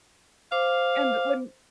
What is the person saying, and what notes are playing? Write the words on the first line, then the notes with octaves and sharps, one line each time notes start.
And when
C5 F5 D6